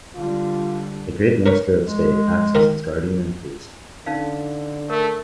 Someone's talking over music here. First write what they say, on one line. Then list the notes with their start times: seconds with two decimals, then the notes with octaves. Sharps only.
A great minister of state acts as its guardian and priest.
0.15 D3 G3 F4
1.46 A#4 B4 C#5
1.83 G#3
2.55 D#3 F4 A#4
4.06 D3 C#4 D#4 F5
4.90 A3 A#4